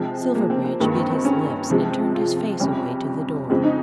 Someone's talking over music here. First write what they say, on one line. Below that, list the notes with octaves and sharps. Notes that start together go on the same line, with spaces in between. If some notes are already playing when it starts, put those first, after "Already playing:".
Silverbridge bit his lips and turned his face away to the door.
Already playing: C3 F3 G#3
A#3
C4
C4
G2 D#3 G#3 A#3
C4
C4
C#4
C3 F3 G#3
F4
F2 C3 G3 C#4
F2 C#3 G#3 C4
D#4